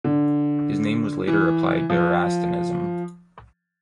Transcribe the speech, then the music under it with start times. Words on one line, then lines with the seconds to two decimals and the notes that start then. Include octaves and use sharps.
His name was later applied to Erastianism.
0.04 D3
1.27 E3
1.90 F3